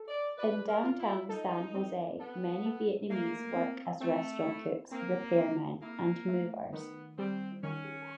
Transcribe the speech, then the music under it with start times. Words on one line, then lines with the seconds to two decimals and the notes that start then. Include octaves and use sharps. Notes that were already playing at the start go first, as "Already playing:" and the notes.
In downtown San Jose, many Vietnamese work as restaurant cooks, repairmen and movers.
Already playing: A4
0.08 D5
0.38 B4 D5
0.68 A#4
0.84 F4
0.99 E4
1.29 D#4 A4
1.74 C4
2.19 B3 A4
2.65 A4
3.10 A3 A#3
3.56 C4
4.00 A3 C4
4.46 E4
4.91 A#3 C4
5.37 C4
5.82 A#3 E4
6.28 A3
6.73 D#3 B3
7.18 G3 C4
7.63 D#3 C#4